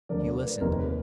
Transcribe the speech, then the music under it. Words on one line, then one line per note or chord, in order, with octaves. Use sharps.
He listened.
D2 D3 F3 A#4 D5
A#4 D5
B4
F1 D#2 D#3 A#4
B4